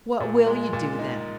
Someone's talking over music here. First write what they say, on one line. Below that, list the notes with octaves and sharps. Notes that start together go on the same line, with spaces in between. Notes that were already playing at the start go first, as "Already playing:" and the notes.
'What will you do then?
A#2
G#3
A#2
D#4